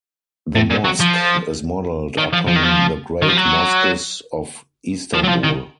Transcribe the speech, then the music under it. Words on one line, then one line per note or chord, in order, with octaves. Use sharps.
The Mosque is modelled upon the great mosques of Istanbul.
A2
A#2
F#3
F3
D#3
F3
F3
D#3
F3
D#3
F3
F#3
F3
F#3
F3
D#3